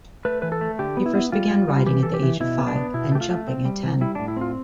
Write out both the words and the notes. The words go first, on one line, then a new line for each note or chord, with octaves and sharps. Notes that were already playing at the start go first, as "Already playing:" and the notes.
He first began riding at the age of five and jumping at ten.
A3 B4
E3 B4
A4
A3
D3 G4
B3
E4
B3
G3 F4
G3
G3
F4
E3 G4
E3 A4
G4
E3
B2 E4
B3
D4
B3
B2 E4
A3 G4
F4
A3
C4
G3
C3
G3 E4
A2 D4
E4
C4 F4